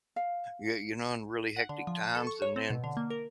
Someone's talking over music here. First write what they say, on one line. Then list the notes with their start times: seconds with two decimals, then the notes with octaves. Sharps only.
y you know, in really hectic times, and then
0.16 F5
1.56 F#5
1.69 D3
1.87 F3
2.03 A5
2.15 A4
2.27 C#6
2.42 C#5
2.56 C4
2.70 B2
2.84 D3
2.97 A#3
3.10 A#4